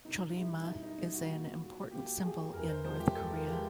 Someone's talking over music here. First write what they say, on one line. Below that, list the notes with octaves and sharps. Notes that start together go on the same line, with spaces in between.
Chollima is an important symbol in North Korea.
B2 D#4
G3 E4
E4
B2 D#4
D#4
G3 D#4
F#4
A#2
F#3
A#2 G4
F#3 G#4
E2 A#4
C5
C3 F3 G#3 C5
G4
E2 A4
A#4
C3 F3 G#3 G4